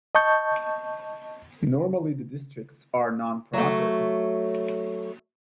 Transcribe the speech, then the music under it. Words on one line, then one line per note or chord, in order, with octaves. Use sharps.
Normally the districts are non-profit.
D#5 A5 C#6 G6
F#3 A3